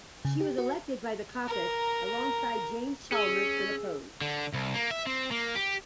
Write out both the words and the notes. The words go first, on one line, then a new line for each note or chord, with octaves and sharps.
She was elected by the caucus alongside Jim Chalmers unopposed.
C#3
G4
F#4
A#4 A#5
C#4 G#4 E6
D3
C2
A#3
E5
C4
A#3
G4